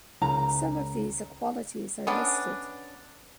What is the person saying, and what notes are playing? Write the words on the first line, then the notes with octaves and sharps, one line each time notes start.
Some of these equalities are listed.
C#2 C#3 A#4 A#5
B3 C#4 D4